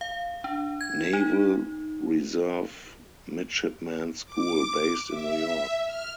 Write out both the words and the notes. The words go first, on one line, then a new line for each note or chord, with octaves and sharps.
Naval Reserve Midshipmen's School, based in New York.
F5
D4
G#6
D#4
D6
E5
F6